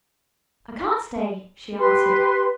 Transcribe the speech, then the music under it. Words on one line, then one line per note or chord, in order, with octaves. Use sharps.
"I can't stay," she answered.
G4 B4 C6